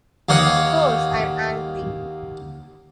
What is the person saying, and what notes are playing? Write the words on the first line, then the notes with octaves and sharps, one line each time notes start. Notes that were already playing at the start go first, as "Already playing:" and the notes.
Of course I am angry.
D#2 A#3 C#5 F#5 D#6